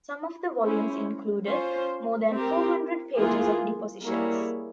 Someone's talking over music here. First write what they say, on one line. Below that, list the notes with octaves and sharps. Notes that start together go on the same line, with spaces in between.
Some of the volumes included more than four hundred pages of depositions...
C#4 E4 G#4 C5
C#4 F4 C5
C4 G4 A#4
E3 A#3 F4 G#4
G3 A#3 E4 G#4 C#5